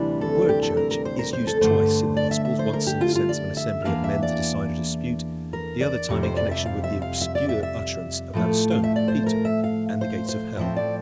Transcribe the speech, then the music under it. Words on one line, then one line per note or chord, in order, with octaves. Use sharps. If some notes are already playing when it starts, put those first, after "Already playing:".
The word church is used twice in the Gospels--once in the sense of an assembly of men to decide a dispute, the other time in connection with the obscure utterance about a stone--Peter, and the gates of hell.
Already playing: D2 C3 E3 G3 D4
A4
G4
A4
A#4
A#4
C5
A#4
C5
A4
G2 D3 A3 C5
D5
E5
E5
C5
A#4
G4
F4
F4
D5
E5
E2 E3 A#3 D4 F5
E5
D5
A#4
D5
F2 C3 G3
C5
D5
E5
F5
E5
F5
E5
D5
E5
E5
A2 F3 A3
F5
E5
D5
C5
A#4
E5
F5
C5
C5
A2 F3 C4 E5
D5